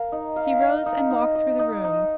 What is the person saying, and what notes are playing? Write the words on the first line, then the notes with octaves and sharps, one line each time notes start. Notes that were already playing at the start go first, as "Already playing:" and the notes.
He rose and walked through the room.
Already playing: A#4 F5
D#4
F5
F5
D#4
D#4
D#5
D#4
D#4